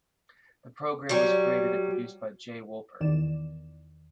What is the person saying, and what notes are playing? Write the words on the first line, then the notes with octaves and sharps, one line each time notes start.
The program was created and produced by Jay Wolpert.
F#3 G3
E2 D#3 D5 E7